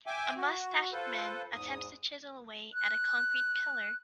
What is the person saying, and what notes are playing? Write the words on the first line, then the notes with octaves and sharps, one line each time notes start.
A mustached man attempts to chisel away at a concrete pillar.
E5 G5 G#5 D6
F#4
F4 A4 B4 C5
E2 G#2 D#6
F#6